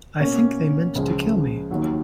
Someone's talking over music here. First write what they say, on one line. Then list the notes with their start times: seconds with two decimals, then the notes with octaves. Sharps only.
I think they meant to kill me.
0.20 B2 A#3 C#4
0.95 C#2 C#3 F3 G#3
1.71 D#2 D#3 F#3